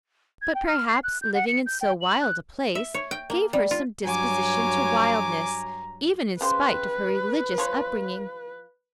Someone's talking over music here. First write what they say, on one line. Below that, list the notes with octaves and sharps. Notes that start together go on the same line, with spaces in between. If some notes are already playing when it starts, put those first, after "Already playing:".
But perhaps living in so wild a place gave her some disposition to wildness, even in spite of her religious upbringing.
G#6
G5
F6
C7
F#6
G6
F#5
C#7
G6
G5
F#7
F#6
E5
C#5
G5
A#3
G3
F4
G2 F#3 C#5 G#5 A#5 D6
C#3 G4 B4 C5
F3 C#5